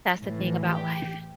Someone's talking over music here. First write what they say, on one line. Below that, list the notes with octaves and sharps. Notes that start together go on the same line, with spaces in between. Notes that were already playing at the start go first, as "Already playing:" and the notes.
That's the thing about life.
A2 E3
G4